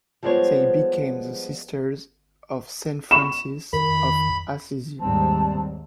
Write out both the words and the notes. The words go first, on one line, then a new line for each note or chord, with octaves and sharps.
They became the Sisters of Saint Francis of Assisi.
F3 G3 G#3 B3 C5 C#5
B5 C#6 E7
F2 D#3 B5
D#2 G#2 G3 C4 A5